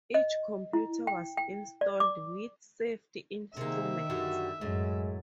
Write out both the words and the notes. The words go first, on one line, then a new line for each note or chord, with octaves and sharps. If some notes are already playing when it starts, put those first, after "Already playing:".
Each computer was installed with safety instruments.
D#5
E4
G5
G5
D5
D6
C3 D#3 A#3 G#4 E5
F#2 D3 G3 F#4
F#2 A2 G#3